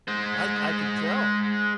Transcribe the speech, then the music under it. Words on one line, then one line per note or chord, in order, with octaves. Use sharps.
I ca I can tell.
G#3 C5